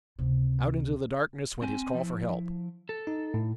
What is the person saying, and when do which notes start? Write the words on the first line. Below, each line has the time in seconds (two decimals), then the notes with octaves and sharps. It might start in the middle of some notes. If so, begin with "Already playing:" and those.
Out into the darkness went his call for help.
0.19 C#2 C3
1.62 C4 G#5
1.94 F3 E4
2.89 A4
3.07 D#4
3.34 A2